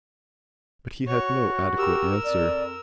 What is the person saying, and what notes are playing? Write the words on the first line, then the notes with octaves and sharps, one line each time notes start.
But he had no adequate answer.
F#4 C#5
G4 A#4 E6
F2 D5